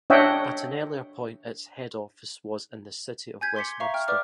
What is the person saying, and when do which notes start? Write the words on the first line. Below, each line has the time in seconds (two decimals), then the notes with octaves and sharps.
At an earlier point its head office was in the City of Westminster.
0.10 D4 C#5 D#5 E5 F#5 G5
3.41 G#5 G6 G#6 B6
3.56 C6 D6 B6 C#7
3.80 E5 F5 A#5 C#6
3.94 G5 F6
4.08 B4 D5 D6 F6